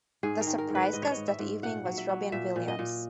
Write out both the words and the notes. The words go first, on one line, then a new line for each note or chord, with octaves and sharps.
The surprise guest that evening was Robin Williams.
G#2 G#4
A#4
D#3
A#4
G#2
B4
G#2 D#5
C#5
D#5
G#2
E5
G#2
A#2 F#5
F#3
E5
F#3
A#2 E5
A#2
D#5
A#2